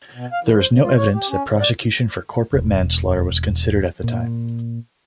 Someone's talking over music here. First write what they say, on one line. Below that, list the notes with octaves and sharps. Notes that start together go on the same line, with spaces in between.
There is no evidence that prosecution for corporate manslaughter was considered at the time.
B2
F5
E3
C5
C#3
F4
C#5
G4
C#4
C#3
D5
E1
A#2